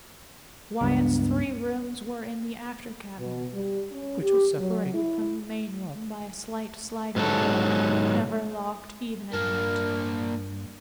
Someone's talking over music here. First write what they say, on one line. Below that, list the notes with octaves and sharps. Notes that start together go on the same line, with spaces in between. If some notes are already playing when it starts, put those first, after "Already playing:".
Wyatt's three rooms were in the after-cabin, which was separated from the main one by a slight sliding door, never locked even at night.
C#2 G2 B3
B2
G3
C#4
G4
F#3
E4
G#2 F#3 A4
G2 A#3 D4 A#4